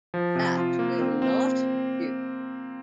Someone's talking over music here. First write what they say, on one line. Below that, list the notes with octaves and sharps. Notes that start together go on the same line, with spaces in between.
That will not do.
F3
C3
F4
A#3
C4
C4